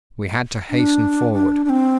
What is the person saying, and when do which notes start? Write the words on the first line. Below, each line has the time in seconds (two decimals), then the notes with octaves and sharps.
We had to hasten forward.
0.70 D4
1.33 D4
1.65 D4
1.69 C4